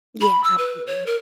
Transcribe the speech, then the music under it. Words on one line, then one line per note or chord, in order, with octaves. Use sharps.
Yeah, absolutely.
B5
E6
B4
C#5
A#4